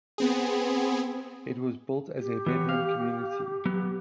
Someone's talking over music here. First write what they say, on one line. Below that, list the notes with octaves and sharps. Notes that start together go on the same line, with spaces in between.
It was built as a bedroom community.
B3 C4 G#4
G4
E3 B3 C#5
F5
F#3 B3